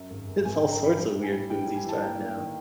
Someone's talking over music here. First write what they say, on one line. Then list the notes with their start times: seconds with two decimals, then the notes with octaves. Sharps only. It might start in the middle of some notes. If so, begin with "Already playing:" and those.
it's all sorts of weird foods he's trying now.
Already playing: F#2
0.10 G#1
0.28 G#1
0.45 G#1 G#5
0.58 G5
0.62 D3
0.71 A#5
0.80 F#2 B5
0.98 G3
1.15 A2
1.23 G#5
1.32 G3
1.49 E3 G5
1.63 G5
1.67 G3
1.76 G#5
1.85 E3 A5
2.02 A#3 G5
2.20 A#3
2.28 G5
2.37 D#3